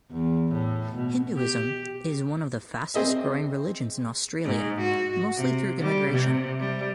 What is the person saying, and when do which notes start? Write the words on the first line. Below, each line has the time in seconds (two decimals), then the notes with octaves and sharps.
Hinduism is one of the fastest growing religions in Australia mostly through immigration.
0.11 E2
0.52 A2
0.95 B2
1.37 G4
2.94 C4 G#4 D#5 E5
4.45 G#2
4.81 F#4
5.37 C3
5.81 G3
6.11 C3
6.60 G3